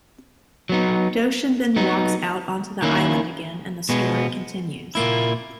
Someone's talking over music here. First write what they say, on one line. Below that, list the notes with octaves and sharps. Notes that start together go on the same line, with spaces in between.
Doshin then walks out onto the island again and the story continues.
F#3 B3 D#4
F#3 B3 D#4
D#3 A#3 C#4 E4
B2 G#3 B3
A#2 A#3 E4